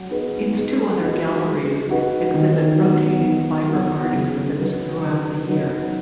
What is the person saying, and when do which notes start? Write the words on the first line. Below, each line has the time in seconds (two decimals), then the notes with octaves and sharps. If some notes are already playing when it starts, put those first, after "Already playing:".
Its two other galleries exhibit rotating fiber art exhibits throughout the year.
Already playing: F#3
0.10 B3 D#4 G#4 B4
0.55 G#3
1.00 D#4 F#4 B4
1.44 G#3
1.89 D#4 F#4 B4
2.34 D#3
2.79 F#3 B3 F#4
3.24 D#3
3.69 F#3 B3 F#4
4.13 C#3
4.58 F#3 D#4 B4
5.04 C#3
5.48 F#3 D#4 B4